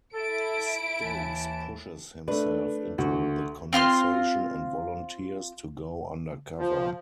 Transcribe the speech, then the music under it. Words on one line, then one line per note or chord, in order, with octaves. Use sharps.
Stokes pushes himself into the conversation and volunteers to go undercover.
E4 A4 D7
D#2 E3 A5
A3 D4 B4
D2 F#4
C4 F4 C6 F6
F3